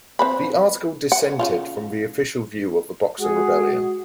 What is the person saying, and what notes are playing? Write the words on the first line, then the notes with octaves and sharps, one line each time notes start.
The article dissented from the official view of the Boxer Rebellion.
C4 B4 B5
F#5
C#3 E4 F4
G#3 F#4 G#4 F#5